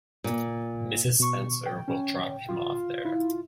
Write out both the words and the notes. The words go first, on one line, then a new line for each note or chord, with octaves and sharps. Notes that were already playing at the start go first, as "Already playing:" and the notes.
Mrs. Spencer will drop him off there.
A#2
B2 C#6
G5
C#4
F4
E4